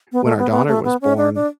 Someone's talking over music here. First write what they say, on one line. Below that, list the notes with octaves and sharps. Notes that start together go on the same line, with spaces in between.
when our daughter was born
B3
A3
B3
B3
A3
B3
C#4
D4
D4